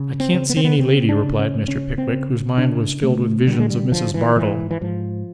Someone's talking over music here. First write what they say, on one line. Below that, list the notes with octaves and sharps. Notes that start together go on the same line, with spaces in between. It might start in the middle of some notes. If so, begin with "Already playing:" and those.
'I can't see any lady,' replied Mr. Pickwick, whose mind was filled with visions of Mrs. Bardell.
Already playing: C#3
C4
C#3
B3
C4
B3
C#3 C4
D4
C#3
C#4
C#3 C#4
C4
C#3
C#3 D4
C#3 A3
D3 G3
G#3
G3
D3 F3
E3
G#2 E3
E3
G#2 F3